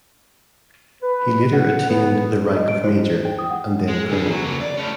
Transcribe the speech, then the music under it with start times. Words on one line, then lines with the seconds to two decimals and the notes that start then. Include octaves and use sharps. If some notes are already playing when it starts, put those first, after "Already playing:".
He later attained the rank of Major, and then Colonel.
1.03 B4
1.54 F#5
1.89 B3
2.56 D#5
2.68 D7
2.84 C5
2.97 E4
3.12 D#4
3.25 G5
3.39 D#6
3.51 F#5
3.88 G#3
4.10 D3 G#4
4.30 F#3
4.43 C#3 A#3
4.61 D5
4.78 A3 C#4